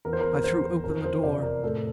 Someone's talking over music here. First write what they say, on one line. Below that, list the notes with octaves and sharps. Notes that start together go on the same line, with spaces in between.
I threw open the door.
E2 A#4
C5
A#4
E2 C5
F2 A#4
C5
C3 D5
A#4
A2 A4